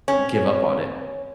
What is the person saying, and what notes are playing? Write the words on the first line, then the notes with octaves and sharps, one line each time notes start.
give up on it.
C4 C#4 C#5